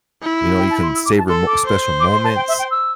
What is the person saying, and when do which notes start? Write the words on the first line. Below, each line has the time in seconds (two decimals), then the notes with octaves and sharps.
you know, you can savor mo special moments
0.22 E4
0.58 G5
0.70 A5
0.82 C6
0.94 E6
1.05 D6
1.18 A5
1.29 A4 C6
1.47 D6
1.65 C5
2.00 D6
2.12 C6
2.24 A5
2.36 G5
2.48 E5
2.59 G5
2.71 E6